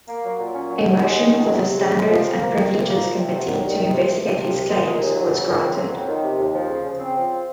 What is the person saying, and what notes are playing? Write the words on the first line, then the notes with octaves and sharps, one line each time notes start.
A motion for the Standards and Privileges Committee to investigate his claims was granted.
A#3
F#3
A#2
C#4
F#3
D#2
G#3
D#3
C#2
F#3
C3
C#3
G#3
F3
F2
A#3
D#3
C3
A#3
F3
C3
F#3
D#3
C2
D#3
C3
C#2
F3
C3
C2
G#3
A#2
D#2
F#3
C#3
A#2
C4
F#3
F2
D#3
C3
D#2
F3
C#3
C#3
C4
F3